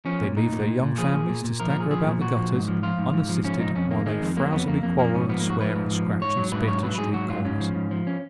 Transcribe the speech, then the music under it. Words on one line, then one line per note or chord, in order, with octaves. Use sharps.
They leave their young families to stagger about the gutters, unassisted, while they frouzily quarrel and swear and scratch and spit, at street corners.
F3 C#4
A#2
A#2 D#4
A#2
A#2
A#2
F3 G#4
A#2
A#2
A#2
F3 A#4
A#4
A#2 G#4
F3 G#4
A#2
A#2 F#4
F3
G#2
F3
F3 F4
G#2
G#2
F3
F3 C#4
G#2 D#4
F2 C#4
D#3 A#3
D#3 G#3
F2
F#3 A#3
F2 B3
F2 A#3
F2 A#3
F3 A#3
G#2 C#4
F3 B3
A#3
G#2
F#4
F3 B4
G#2
F3
G#2
G#2 C#5
F#3
G#2 B4
F#3 C#5
F#3 B4
G#2 G#4
F#3 F#4
G#2 F4
G#2 C#4
F3
G#2
F3
C#4